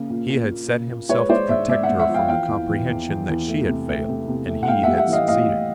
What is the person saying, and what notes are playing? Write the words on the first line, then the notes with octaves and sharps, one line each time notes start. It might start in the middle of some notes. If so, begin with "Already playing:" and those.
He had set himself to protect her from the comprehension that she had failed, and he had succeeded.
Already playing: C#3 A#3
A#2
A#3
A#2
A#2
A#2
G#3 B4 C#5
G#3 C5 D5
G#2 D5 E5
G#2 D5 E5
E5 F#5
G#2
E5 F#5
F3
F5 G5
E3 F5 G5
E2
E3
E2
E2
E2
A3
C3
A3
C3
C3
A3
F#5
A2 F5 G5
G3 E5 F#5
E5 F#5
E3
D#5 F5
A2 D#5 F5
A2